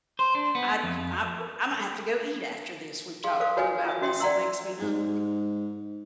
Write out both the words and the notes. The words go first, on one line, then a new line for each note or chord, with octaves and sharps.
I do Ima Imma have to go eat after this, we've talked about this, it makes me hungry,
C5
D4
B3
F2
G#4 F5 C6
A4 A#4 C5 F5 D6
F4 F#4 B4 C#5 D#5 G#5
F4 E5
C#4 F#4 E5 G5 C6
D5 F#5 G5 A#5 C6 E6
G#2